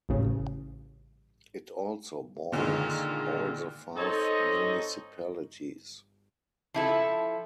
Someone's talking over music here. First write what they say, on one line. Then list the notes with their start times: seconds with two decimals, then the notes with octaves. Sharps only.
It also borders all the five municipalities.
0.09 A1 C#3
2.52 A#2 D3 D#3 G#3
3.96 C4 D#4 A4 C#5 D#5
6.74 F3 E4 A4